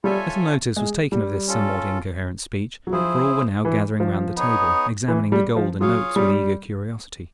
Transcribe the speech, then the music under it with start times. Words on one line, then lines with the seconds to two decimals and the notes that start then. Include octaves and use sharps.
Little notice was taken of this somewhat incoherent speech, for all were now gathering round the table, examining the gold and notes with eager curiosity.
0.04 G3 F4 A4 C#5 E5 G#5
0.77 G#3
1.12 G3
1.48 C#4 F4 A4
2.87 F#3
2.92 F3 E4 G#4 C5
3.65 E3
4.00 F3
4.36 B3 D#4 G#4 C#5
5.08 E3
5.32 G3
5.56 F3
5.80 F#3 F4 G#4 C#5 F5
6.16 G3